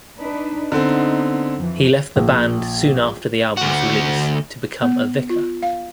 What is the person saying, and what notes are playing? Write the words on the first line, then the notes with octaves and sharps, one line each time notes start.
He left the band soon after the album's release to become a vicar.
D4 D#4 B4
D3 B3 C4 D#4
F2 E3
A#1
D2 F#4
B3
F4
F5